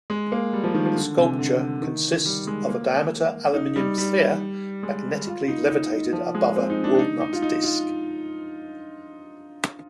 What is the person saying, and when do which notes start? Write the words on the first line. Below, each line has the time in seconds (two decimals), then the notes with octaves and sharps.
The sculpture consists of an diameter aluminum sphere magnetically levitated above a walnut disc.
0.10 G#3
0.32 A#3
0.53 G3
0.64 F3
0.74 D#3
0.85 F3
0.96 D3
1.17 C3
1.39 D3
1.82 D#3
2.25 G3
2.47 G#3
2.69 A#3
3.54 D#4
3.76 G3
3.98 G3
4.83 G#3
5.27 F4
5.48 D#4
5.70 D#4
5.91 D#4
6.13 F3
6.35 G#3
6.56 C4
6.70 D#4
6.84 D4
6.94 D4
6.99 D#4
7.21 D#4
7.33 F4
7.42 D#4
7.64 F4